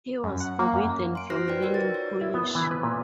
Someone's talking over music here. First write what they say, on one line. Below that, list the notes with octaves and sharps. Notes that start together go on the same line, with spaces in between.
He was forbidden from learning Polish.
F#2
F#5
A#3
F#2
C6 D7
F#4 C5 F6 A#6 C7
D#4 F4 B4 D5 G5
F#4 A#4 D5 G5
A6
C#5
E4
B3
E3
B4
A#2